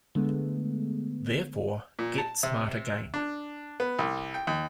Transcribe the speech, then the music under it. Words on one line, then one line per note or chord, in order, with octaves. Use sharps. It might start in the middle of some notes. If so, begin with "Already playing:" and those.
Therefore, Get Smart Again!
D3 G#3 A3 B3
A#2
A5
C3
D4
B3
C2
G5
D#2